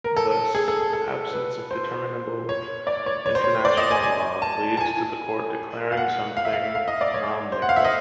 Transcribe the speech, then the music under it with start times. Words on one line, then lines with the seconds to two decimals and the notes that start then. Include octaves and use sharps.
Thus, absence of determinable international law leads to the court declaring something "non liquet".
0.04 A#4
0.17 A4
0.55 G#4
0.68 A4
0.81 G#4
0.93 A4
1.33 B4
1.71 C5
2.49 C#5
2.87 D5
3.06 C#5
3.26 C#5
3.35 C5
3.44 C#5
3.65 D5
3.77 D#5
3.91 G#5
4.04 G#5
4.42 A5
4.77 A5
4.81 G#5
5.92 F5
5.97 F#5
6.37 F5
6.45 E5
6.53 F5
6.75 F5
6.88 D#5
7.01 D5
7.14 C#5
7.52 C5
7.62 F#5
7.69 F5
7.76 E5
7.84 D#5